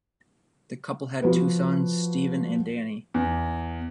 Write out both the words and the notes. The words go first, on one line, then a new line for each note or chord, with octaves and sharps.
The couple had two sons, Steven and Danny.
F3 F#4 B4
E2